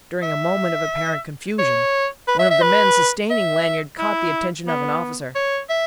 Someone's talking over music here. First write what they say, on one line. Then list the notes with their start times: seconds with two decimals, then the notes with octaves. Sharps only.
During a moment of apparent confusion, one of the men sustaining Lanyard caught the attention of an officer.
0.22 E5
1.59 C#5
2.27 B4
2.39 E5
2.50 E5
2.62 B4
3.30 E5
3.98 E4
4.67 B3
5.35 C#5
5.69 E5